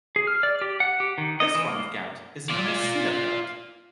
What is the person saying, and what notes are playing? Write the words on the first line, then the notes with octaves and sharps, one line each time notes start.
This form of gout is known as pseudogout.
G#4
F6
D5
G4
F#5
G4
D#3
D#5
E3
A#3
F4 D5